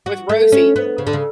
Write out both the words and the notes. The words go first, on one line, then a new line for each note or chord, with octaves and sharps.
with Rosie,
F#4
A3
C#4
B3
C#3
D3
C#3